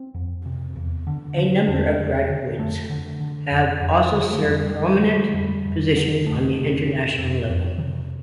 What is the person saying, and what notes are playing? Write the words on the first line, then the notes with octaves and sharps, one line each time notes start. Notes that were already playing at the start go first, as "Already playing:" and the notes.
A number of graduates have also served prominent positions on the international level.
Already playing: C4
F2
C3
E2
D3
D3
E2 D4
E2
D3
F2 A3
D3
D3
F2
F2
D3
A3
F2 G3
G3
D3
F3
D3
G3
F2 G3
F2
D3
F2 A3
C3
C3
F2 C4
F2
C3